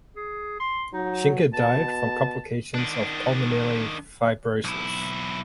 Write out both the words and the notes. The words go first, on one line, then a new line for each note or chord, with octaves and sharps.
Shenker died from complications of pulmonary fibrosis.
G#4
C6
F#3 D#4
B2 A5
D#3 D4
B1 E4